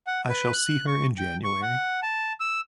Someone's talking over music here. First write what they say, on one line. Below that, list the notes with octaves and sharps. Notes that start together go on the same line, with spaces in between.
I shall see her in January.
F#5
B4
F#6
C#6
G5
C#6
F#5
A5
E6